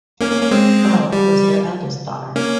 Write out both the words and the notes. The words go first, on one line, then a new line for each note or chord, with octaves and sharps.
Bell was their eldest daughter.
A#3 C#4
A#3 C#4
A#3 C#4
G#3 C4
G3
A#3 C#4